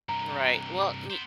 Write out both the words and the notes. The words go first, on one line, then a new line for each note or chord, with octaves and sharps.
right. Well, y
G2 C3 A#5
B3 C5